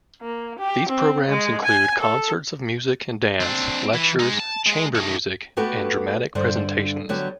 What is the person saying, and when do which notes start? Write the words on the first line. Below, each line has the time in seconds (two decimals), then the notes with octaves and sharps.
These programs include concerts of music and dance, lectures, chamber music, and dramatic presentations.
0.21 A#3
0.58 G4
0.89 C4
1.29 G#3
1.64 G#5
2.00 A4
3.41 C4 D4
3.94 E3
4.19 G#3 D#4
4.39 A5
4.66 G#3
4.95 A3 D#4
5.57 A3 B3 F#4 G4 A4 B4
6.35 G2 D3 D4 C5
7.09 D3 F#3 B3 G4